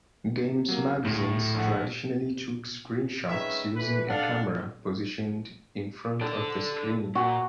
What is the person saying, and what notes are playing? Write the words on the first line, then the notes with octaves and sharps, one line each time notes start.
Games magazines traditionally took screenshots using a camera positioned in front of the screen.
F#3 A#3
D2 A2
A#1 D3 F#5
D#3 G#3 C#4 B4 E5
D3 E3 B4
D4 A4 F5 F#5
A4 D5 A5
A#2 F#4